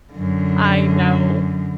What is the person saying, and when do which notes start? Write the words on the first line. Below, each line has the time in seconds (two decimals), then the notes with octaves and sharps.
I know.
0.13 F#2 D3